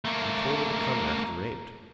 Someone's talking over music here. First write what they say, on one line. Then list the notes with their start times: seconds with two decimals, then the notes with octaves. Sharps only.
I told her to come after eight.
0.05 A3 A#3